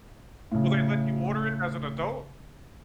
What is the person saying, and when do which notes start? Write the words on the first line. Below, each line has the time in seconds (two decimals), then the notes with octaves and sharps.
Will they let you order it as an adult?
0.52 A2 C#3